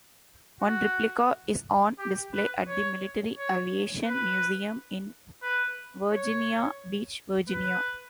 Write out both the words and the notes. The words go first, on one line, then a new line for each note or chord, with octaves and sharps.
One Replica is on display at the Military Aviation Museum in Virginia Beach, Virginia.
F#4
G4
B4
C#5
C#5
B4
B4
C#5
B4